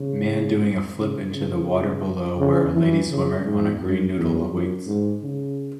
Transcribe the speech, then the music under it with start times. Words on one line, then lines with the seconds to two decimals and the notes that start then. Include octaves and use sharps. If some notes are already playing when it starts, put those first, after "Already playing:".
Man doing a flip into the water below where a lady swimmer on a green noodle awaits.
Already playing: C#3
0.96 C#3
1.31 C#3
2.38 C#3
2.73 E3
3.09 C#3
3.45 G#2
3.80 F#2
4.16 E2
4.51 F#2
4.87 G#2
5.22 C#3